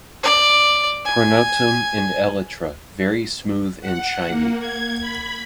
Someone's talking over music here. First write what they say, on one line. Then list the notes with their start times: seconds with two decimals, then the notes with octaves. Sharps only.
Pronotum and elytra very smooth and shiny.
0.23 D5
1.05 G#5
3.81 F#5
4.30 A#3
4.60 G#6
5.01 B5